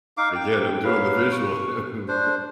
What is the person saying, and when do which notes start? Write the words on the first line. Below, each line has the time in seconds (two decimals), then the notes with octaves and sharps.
again, I'm doing the visual, and
0.18 D#4 F5 D6
0.35 G5
0.84 F#3 B4 F5
1.32 C#6
2.08 D4 C5